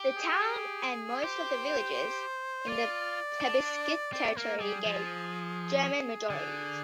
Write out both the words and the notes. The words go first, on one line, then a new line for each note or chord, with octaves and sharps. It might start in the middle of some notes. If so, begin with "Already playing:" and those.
The towns and most of the villages in the plebiscite territory gave German majorities.
Already playing: G4
G#4
G4 C5
F4 D5
D4
C4 D5
A#3 A#4
G3 G#4
F3
D3 G#4